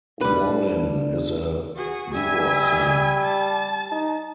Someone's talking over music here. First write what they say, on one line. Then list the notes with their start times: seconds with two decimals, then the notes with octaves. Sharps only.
Wallin is a divorcee.
0.21 G3 D4 B4
1.76 F#4 G#4
2.14 G3 E5 G#5
3.22 A5
3.91 D#4